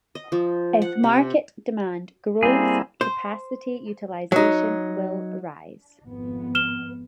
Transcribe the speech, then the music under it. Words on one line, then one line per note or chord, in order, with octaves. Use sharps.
If market demand grows, capacity utilization will rise.
D#5
F3
F#5
C3
G3 A#3 C4 E4 G#4
C5
F#3 D#4
G#1 F2 B3
F6 E7 G7